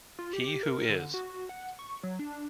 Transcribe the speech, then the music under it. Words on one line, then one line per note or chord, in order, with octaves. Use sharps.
"He Who Is".
F4
G4
A#4
D3
F#4
F#5
C#6
F#3
D4